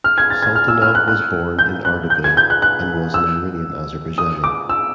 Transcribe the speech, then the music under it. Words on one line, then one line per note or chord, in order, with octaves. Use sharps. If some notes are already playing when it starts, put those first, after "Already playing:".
Sultanov was born in Ardabil and was an Iranian Azerbaijani.
F6
G#6
A6
G#6
F6
E6
F6
F#6
F#6
G6
F#6
G6
G#6
G6
F#6
F#6
E6
D#6
D6
E6